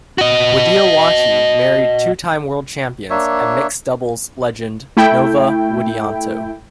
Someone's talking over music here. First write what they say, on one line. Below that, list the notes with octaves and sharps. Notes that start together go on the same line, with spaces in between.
Widiowati married two-time world champions and mixed doubles legend Nova Widianto.
F#4 D#5
A#3 D4 C#5 E5
A3 E4 G5